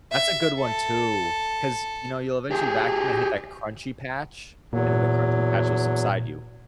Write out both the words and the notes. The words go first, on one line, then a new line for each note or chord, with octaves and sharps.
That's a good one too, 'cause, you know, you'll eventually vacuum and hit that crunchy patch, and then the crunchy patch will subside you.
E5
A4
G4 G#4
E2 A#2 F#3